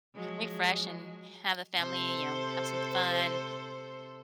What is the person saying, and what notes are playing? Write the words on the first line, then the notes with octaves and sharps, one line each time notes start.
Refresh and have a family you know, have some fun.
F3 F#3 G#3
C3 A4 C5